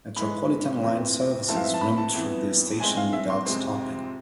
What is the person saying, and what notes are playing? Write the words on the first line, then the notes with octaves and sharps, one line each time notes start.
Metropolitan line services run through the station without stopping.
G#2 E3 G#3 B5
F2 E3 A3 C4
G#2 E3 A3 C4 A5
F5
E5
A5
B5
A5
F2 E3 B3
A2 G#3 C4 G#5
F5
E5
C6
F2 C3 F3 G#3 C4 C6